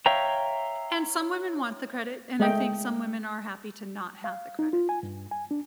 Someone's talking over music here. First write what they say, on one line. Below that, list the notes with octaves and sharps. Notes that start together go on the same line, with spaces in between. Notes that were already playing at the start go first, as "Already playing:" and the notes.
And some women want the credit, and, I think, some women are happy to not have the credit.
C#5 E5 F5 G5 A#5
G#3 A3 A4 D#5 E5 G5
F5
D#4
F4
G#5
G2
G#5
D4